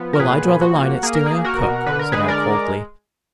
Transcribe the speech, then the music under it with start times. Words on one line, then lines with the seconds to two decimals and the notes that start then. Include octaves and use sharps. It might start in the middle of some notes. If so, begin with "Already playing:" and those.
"Well, I draw the line at stealing a cook," said I, coldly.
Already playing: F3 B3
0.13 A#4
0.19 A#2 G#4 B4
0.47 F3
0.61 F#4
0.75 A#3
1.03 A#3 G#4
1.15 A#4
1.26 A#3 G#4
1.44 F#4 A#4
1.58 B2
1.86 D3 B4
1.99 A#4
2.12 G#3 G#4 B4
2.28 A#4 D5